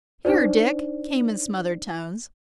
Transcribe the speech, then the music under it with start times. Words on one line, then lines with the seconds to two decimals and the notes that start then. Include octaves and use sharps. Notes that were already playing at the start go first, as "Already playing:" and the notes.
"Here, Dick," came in smothered tones.
0.25 D4 D#4 C5 D5